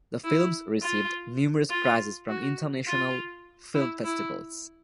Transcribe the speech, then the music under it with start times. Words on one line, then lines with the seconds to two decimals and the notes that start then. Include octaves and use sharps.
The films received numerous prizes from international film festivals.
0.24 E4
0.82 F4
1.70 F4
2.28 F#4
2.87 F4
3.74 E4
4.04 E4